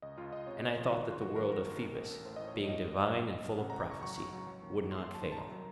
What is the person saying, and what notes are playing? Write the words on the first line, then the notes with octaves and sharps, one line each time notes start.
And I thought that the word of Phoebus, being divine and full of prophecy, would not fail.
C#2 D#5
C#2 F4
C#2 D#5
C3 C#5
C#2
F3
F4
D#3 F#4
D#2 F4
F#3 F#4
D#3 A#4
D#2
D#2
A1
A1
A1
A2 C5
A2 D#5
C#5
F3
A2 D#5
A1
A1
F#3
A1
A1
C#3 F#5
A#5
C#2
A#5
C#2 C#6
F#3 C#6
F#3
F#3
F#3
D#2
D#2
D#2 C6
F#3
A5
D#3
A5
C2 A#5
F#3